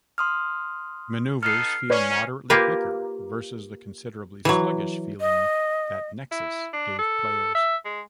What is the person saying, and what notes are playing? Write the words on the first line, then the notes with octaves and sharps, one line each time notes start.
Maneuvers feel moderately quicker versus the considerably sluggish feeling that "Nexus" gave players.
C6 D#6 F6
B3 D#4 A4 F6 C7
C#4 B4 C#5 D5
A#3 F4 G4 A#4 B4
E3 F#3
D#5
E4
D4
A4
E5
G#3